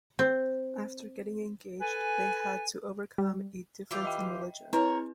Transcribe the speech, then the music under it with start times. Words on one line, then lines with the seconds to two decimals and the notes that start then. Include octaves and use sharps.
After getting engaged, they had to overcome a difference in religion.
0.19 C4
1.81 A4 B4 G#5
3.18 G3
3.91 E3 F4 G4
4.04 D#5 E5 G5
4.73 C4 E4 A#4 B4 C#5